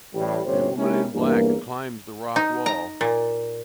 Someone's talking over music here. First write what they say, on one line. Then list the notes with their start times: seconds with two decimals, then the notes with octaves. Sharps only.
A woman in black climbs the rock wall.
0.14 A1 A2 G3
0.46 G1 D2 C3 C#4 C5 C#5
0.77 G#3 A#3 C#4 D#4 E4 G4
1.13 E2 G2 C#3 A#3
2.36 D#4
2.66 A#5
3.01 A#2